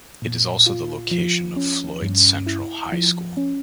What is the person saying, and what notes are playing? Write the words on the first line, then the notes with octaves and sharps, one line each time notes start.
It is also the location of Floyd Central High School.
A#2
F4
F3
C#4
G2
E4
F3
C#4